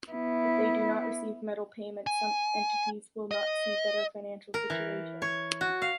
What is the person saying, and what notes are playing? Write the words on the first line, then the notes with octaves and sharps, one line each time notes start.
If they do not receive metal payments, some entities will not see a better financial situation.
B3 E4
G#5
D#5
A#4
E3
C#5
F#4
F5